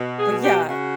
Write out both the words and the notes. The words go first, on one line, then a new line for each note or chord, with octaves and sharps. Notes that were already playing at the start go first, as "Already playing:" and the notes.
But yeah
Already playing: B2
G#4
B2
G4
C#3 F#4